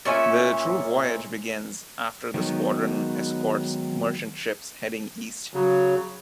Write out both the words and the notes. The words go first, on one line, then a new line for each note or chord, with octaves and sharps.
The true voyage begins, after the squadron escorts merchant ships heading east.
A#2 C#4 E5 G#5
D#3 F#3 G#3 B3
C#3 F#3